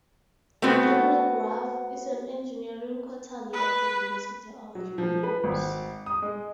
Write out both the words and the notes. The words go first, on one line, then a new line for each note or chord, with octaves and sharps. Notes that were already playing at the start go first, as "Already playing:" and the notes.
"Technograph" is an engineering quarterly at the University of Illinois.
A3 B3 C4 F#4 A4
B4
F#3
F3
B4
G#1
D#6
G#3